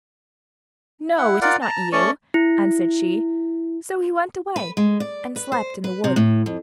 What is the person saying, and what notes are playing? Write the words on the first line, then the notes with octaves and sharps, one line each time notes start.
'No, it is not you,' answered she, so he went away and slept in the wood.
E4 F#5
F4 A#4 D5 F#5
A5 A#5
A3 C#4 D5 C#6
E4
B4
G#3
D5
B4
C5
B4
C3
A2
F2